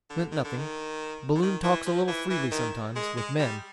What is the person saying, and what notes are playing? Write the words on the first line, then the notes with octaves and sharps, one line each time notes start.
I meant nothing, Balloon talks a little freely sometimes, with men.
D3
D#3
D3
D#3
D3
D#3
E3
F3
E3
E3
D#3
G#3
G#3
G3